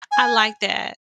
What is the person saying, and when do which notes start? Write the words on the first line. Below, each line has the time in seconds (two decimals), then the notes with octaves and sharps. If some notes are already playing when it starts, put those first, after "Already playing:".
I like that.
0.11 G#5